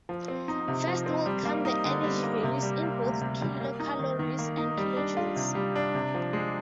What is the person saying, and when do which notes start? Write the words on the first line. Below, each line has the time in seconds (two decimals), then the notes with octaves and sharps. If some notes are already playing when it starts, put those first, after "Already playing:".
First will come the energy values, in both kilocalories and kilojoules.
0.09 F3
0.28 C4
0.48 D#4
0.68 C3
0.87 F3
1.06 C4
1.26 G3
1.45 A#3
1.65 D#4
1.85 D3
2.04 G3
2.23 A#3
2.43 C3
2.63 G3
2.83 A#3
3.02 D2
3.21 C3
3.41 G3
3.60 A#3
3.80 D#4
3.99 D#3
4.19 D#3
4.39 A#3
4.57 D#4
4.78 G3
4.96 D4
5.17 F4
5.36 C3
5.55 G3
5.76 D4
5.95 C3
6.15 F3
6.33 G#3